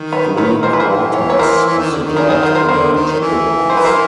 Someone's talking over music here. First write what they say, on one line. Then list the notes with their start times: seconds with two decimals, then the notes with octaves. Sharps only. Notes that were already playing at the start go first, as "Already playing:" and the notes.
Three-quarters of the dead were Jacobites.
Already playing: D#3
0.13 B4 C#5
0.37 B4 C#5
0.63 E3 A#4 C5
0.73 B4
0.80 A#4 C5
1.14 C#5
1.30 B4 C#5
1.39 A#4 C5
1.66 E3
1.78 D#3
1.91 D3
2.04 D#3
2.17 G#4 A#4
2.29 F#4 G#4
2.43 A#4 C5
2.55 A#4 C5
2.68 D3 A#4 C5
2.93 D#3
3.19 E3
3.70 C5
3.77 B4
3.85 A#4 C5